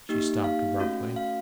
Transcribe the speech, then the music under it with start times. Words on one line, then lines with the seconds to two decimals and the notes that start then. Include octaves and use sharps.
She stopped abruptly.
0.09 A#3 D#4 G4
0.44 F5
0.80 A3 C#4 F#4
1.16 F5